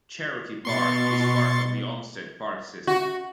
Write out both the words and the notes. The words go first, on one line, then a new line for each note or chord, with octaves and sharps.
Cherokee Park is part of the Olmsted Park system.
B2 C6 C#6 A6
F#4